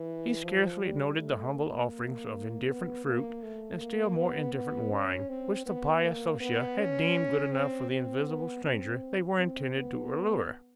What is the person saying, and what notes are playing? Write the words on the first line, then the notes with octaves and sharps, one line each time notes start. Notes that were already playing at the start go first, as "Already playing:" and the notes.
He scarcely noted the humble offerings of indifferent fruit, and still more indifferent wine, which the pious Sosia had deemed good enough for the invisible stranger they were intended to allure.
Already playing: E3
F3
G3
A3
A#3
B3
A#3
A3
A#3
B3
B3
C#4
C4
B3
A#3
B3
C#4
C4
C4
B3
C4
C4
B3